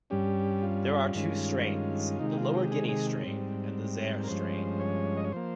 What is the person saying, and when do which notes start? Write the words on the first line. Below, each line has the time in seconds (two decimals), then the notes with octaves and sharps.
There are two strains: the Lower Guinea strain and the Zaire strain.
0.10 G2 G3 C#4 G4
0.62 F4
1.15 G2 D#3 G#3 C#4
2.19 C3 D#3 G#3 D#4
2.32 G4
2.37 F4
2.54 G4
2.65 G4
2.71 G#4
2.89 G#4
3.23 G#2 G3 C4
4.23 A#4
4.28 G2 F3 G#3 C#4 C5
4.80 C#5
5.17 D#5
5.24 C#5
5.32 F3 A#3 C5